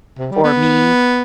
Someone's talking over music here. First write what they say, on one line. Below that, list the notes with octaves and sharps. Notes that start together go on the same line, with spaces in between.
for me,
C3
G3
B3